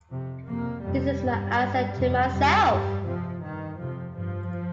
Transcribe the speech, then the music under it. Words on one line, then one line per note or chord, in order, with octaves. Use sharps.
This is my answer to myself.
F2 C3
F2 C3 A#3
F2 C3 G3
G2
G2
F2 C3
F2 C3 G3
G2 G3
F2 C3 F3
G2 D#3
F2 C3 F3
G2 F3